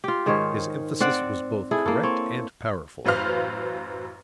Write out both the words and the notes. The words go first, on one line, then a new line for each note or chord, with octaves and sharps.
His emphasis was both correct and powerful.
F4 G4
G#2 D#3 C5 C#5
C4 D5 F#5
E4 G#4 A4
A#3 A4
C4 C#5
A1 F#2 B4 C5 F5 F6